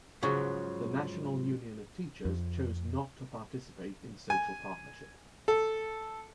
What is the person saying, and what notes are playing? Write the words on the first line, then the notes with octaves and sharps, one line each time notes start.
The National Union of Teachers chose not to participate in social partnership.
G#2 C#3 F3 F#3
F2
G#5
A4